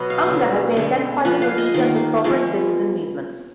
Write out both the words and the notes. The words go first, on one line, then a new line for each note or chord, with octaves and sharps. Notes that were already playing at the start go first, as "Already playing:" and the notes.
Unger has been identified as a leader of the sovereign citizen movement.
Already playing: B2 F#3 B3 D#5
F5
D3 F#3 B3
D3 G#3 B3
F3 B3 F#5
F5
D#5
D#3 A#3
F3 G#3 B3